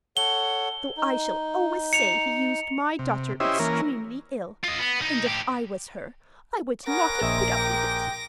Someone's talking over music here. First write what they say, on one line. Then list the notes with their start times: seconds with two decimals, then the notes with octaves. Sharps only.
Though I shall always say he used my daughter extremely ill; and if I was her, I would not have put up with it.
0.17 A4 C#5 F#5 G7
0.97 D#4
1.93 C#7 F7
2.99 C3
3.40 C#4 E4 G4 C5 D#5 E5
3.59 E3 A#3 C#4 A#4
4.64 F4 D#5
4.79 B3
5.01 B1 D#4
5.27 A2 G4
6.87 B3 C#4 A#4 F#5 D6 A#6
7.22 A#1 C4 C#5 D#5 E5
7.54 G#3 G4 G5